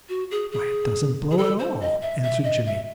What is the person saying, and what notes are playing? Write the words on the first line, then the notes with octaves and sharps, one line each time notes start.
"Why, it doesn't blow at all," answered Jimmie.
F#4
G#4
G#4
G#4
A4
C5
D#5
E5
E5
D#5
E5